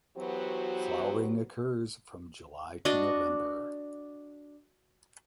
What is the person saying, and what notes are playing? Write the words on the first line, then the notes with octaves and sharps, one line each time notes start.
Flowering occurs from July to November.
E3 F#3 B3 F#4 G4 C5
D4 F#4 D#5